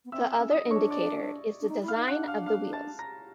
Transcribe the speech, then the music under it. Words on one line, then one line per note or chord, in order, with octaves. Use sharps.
The other indicator is the design of the wheels.
B3
C4 E5 E6
E5 E6
C#4
D#5 D#6
D4
C#5 C#6
D5 D6
D4
D#4
E4
F5 F6
D#4
D4 F#5 F#6
F5 F6
F5 F6
A5 A6
A#5 A#6